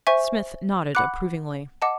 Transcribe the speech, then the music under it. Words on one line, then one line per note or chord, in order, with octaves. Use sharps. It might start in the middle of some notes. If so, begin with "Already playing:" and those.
Psmith nodded approvingly.
C5 E5 G#5 C#6
F#5 B5 D6 F#6
D#5 F#5 A5 D6